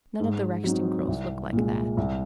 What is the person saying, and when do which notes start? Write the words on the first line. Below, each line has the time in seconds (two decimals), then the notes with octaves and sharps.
None of the Rexton girls looked like that.
0.20 G#2
0.64 F#3 C4 D#4
1.08 C2
1.53 A#2 G#3
1.97 C2